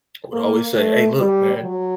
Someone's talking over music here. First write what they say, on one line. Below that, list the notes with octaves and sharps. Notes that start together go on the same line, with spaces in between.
would always say, "Aye, look, man,"
A#3
A3
G3
F#3